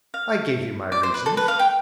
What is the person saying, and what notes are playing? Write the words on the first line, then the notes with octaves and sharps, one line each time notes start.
"I gave you my reasons."
F5
D5
C5
B4
A4
B4
F5
G5